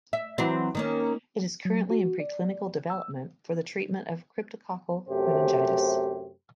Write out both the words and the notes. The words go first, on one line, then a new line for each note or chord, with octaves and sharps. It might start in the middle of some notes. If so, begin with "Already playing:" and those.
It is currently in preclinical development for the treatment of cryptococcal meningitis.
E5
E3 F#3 C4
D#3 A#3 C#4
F#3
F#4
D5
E6
F#2 C3 A3 G4 C5